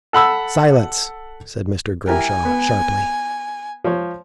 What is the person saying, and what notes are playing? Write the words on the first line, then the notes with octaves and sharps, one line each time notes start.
"Silence!" said Mr. Grimshaw, sharply.
A4 F#5 B5 E6
E4 G4 A#4 G#5
B3
F3 C#5